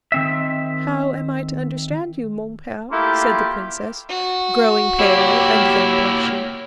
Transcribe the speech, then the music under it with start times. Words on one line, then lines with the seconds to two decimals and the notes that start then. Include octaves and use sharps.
"How am I to understand you, mon pere?" said the princess, growing pale and then blushing.
0.12 D#3 C4 E5
2.91 A3 A#3 E4 F4 G4
4.09 F#4
4.99 A#3 E4 G4 C#5